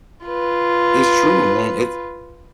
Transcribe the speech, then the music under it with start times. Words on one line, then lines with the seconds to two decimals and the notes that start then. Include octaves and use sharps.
It's true, man, it's
0.25 F4 B4